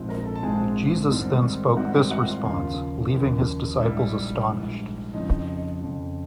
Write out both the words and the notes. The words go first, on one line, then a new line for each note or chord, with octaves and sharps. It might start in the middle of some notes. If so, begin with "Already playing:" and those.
Jesus then spoke this response, leaving his disciples astonished.
Already playing: A#1 G#2 F3 G#3 C4
A#4 A#5
A4 A5
A5
A#1 G#2 F3 G#3 C4 G#4 G#5
G#2 D#3 G3 C4 D#4
G#2 D#3 G3 C4 D#4 F#4 F#5
G4 G5
F#4 F#5
F4 F5
D#2 C#3 F3 F4 F5
D#2 C#3 F3
A#1 G#2 E3 G3 E4 E5
A#1 G#2 E3 G3
F2 C#3 F3 D#4 D#5
F2 C#3 F3